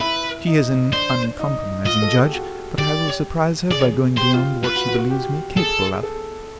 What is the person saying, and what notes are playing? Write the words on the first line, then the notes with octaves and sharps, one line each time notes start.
She is an uncompromising judge, but I will surprise her by going beyond what she believes me capable of.
E4 B4
D#4
D4 C5
D#4
F4 D#5
A4
G#4
G4
F#4
G4 D5
G#4 D5
G4 C5
F4
F4 B4
F#4
F#4
F#4
G4
G#4 A4
G#4
A4